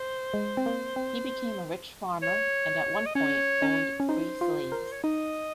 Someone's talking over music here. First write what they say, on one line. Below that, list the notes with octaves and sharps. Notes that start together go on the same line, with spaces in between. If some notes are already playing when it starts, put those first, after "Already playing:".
He became a rich farmer and at one point owned three slaves.
Already playing: C5
G#3
C4
A#3
C4
C#5
D#5
C#4 C#5
C#4
C#4
D#4 C5
F4
A#4
C#5
D#4 D#5